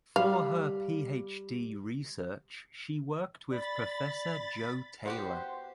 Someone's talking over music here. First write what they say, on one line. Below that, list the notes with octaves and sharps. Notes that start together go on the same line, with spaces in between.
For her PhD research she worked with Professor Joe Taylor.
G3 F5
D5 B5 A6
B3 F#4 G4 C5